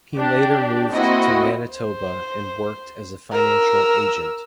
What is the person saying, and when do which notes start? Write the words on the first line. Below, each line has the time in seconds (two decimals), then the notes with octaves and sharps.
He later moved to Manitoba, and worked as a financial agent.
0.15 D4 G4
0.92 A#3 C4 E4 F#4 D#5
1.71 C5
3.32 A#4 E6